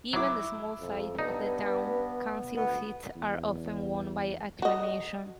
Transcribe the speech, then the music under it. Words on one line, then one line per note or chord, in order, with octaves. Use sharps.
Given the small size of the town, council seats are often won by acclamation.
F#3 E4 D6
F2
G2 B3 D#4
D2 B3
E2
F#4 D#5